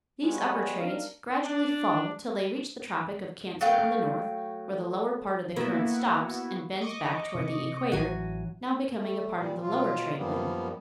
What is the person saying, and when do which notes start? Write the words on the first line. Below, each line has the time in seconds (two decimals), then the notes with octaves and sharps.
These upper trades gradually fall till they reach the tropic of Cancer on the north, where the lower part of the current stops and bends back toward the equator, now becoming a part of the lower trade wind.
0.23 G3 G#3 B3 C#4
0.78 C4 D4 D#4 A#4 F5
1.44 D4
3.61 F#3 A3 F5 G5
5.56 A#3 B3 E4 F#4
6.81 D#5 C#6 D6
7.34 C3
7.92 A1 E3 F#3 F#4 G#5
8.98 A3
9.37 A#2 G3
9.62 B2 F#3 F4
10.17 F#2 F3 G3 A#3 B3